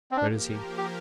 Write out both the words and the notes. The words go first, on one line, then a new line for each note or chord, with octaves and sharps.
"Where is he?"
C4
F3 A#3 D4 G4 A#4
G4